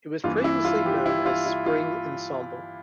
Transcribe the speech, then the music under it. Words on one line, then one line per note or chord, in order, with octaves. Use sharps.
It was previously known as Spring Ensemble.
G2 E3 A#3 F4
E4
F4
G4
F4
E4
F4
E4
F4